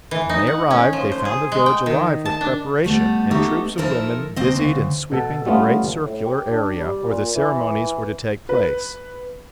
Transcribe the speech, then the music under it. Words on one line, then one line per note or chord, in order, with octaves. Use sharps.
When they arrived, they found the village alive with preparation, and troops of women busied in sweeping the great circular area where the ceremonies were to take place.
E3
D#4
F#5
C#4
F3
C5
G#4
G#3
G5
D#3
A5
D4
G3 A3 B3
A3 B3 D#4 G4 A4
F3 D#4 E4 A4 A#4
D2 C4 D#5
D2 C#3
B2 A4
G3 A3 B3 C#4 F4
A2
G4
D4
G3
A#2
E3
B4